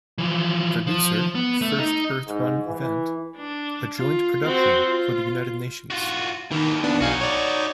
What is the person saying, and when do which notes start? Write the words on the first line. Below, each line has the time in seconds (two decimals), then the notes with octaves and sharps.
Producer, First Earth Run event, a joint production for the United Nations.
0.18 E3 F3
0.87 F3
1.35 B3
1.61 A3
1.79 D#4
2.28 G#2
2.66 E3
3.36 D4
3.96 F4
4.44 C4 F#4
4.87 F4
5.90 F4 F#4
6.51 D#2 D#3 E3
6.84 B3 D4
7.01 B1 D#4 F#4 F5 G#5
7.21 C#5 D5